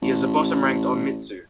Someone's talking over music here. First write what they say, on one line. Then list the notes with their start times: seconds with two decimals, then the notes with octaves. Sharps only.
He is a bottom-ranked onmitsu.
0.02 A1